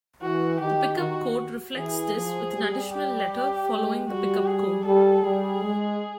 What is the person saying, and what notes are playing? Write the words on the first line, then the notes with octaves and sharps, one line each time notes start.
The Pickup code reflects this with an additional letter following the pickup code.
E3 F#4
D#3 G4
D#3 F#4
E3 G#4
F3
G3
G4
G#3
G3 F#4
G#4
G3 A4
G3 G#4
G#3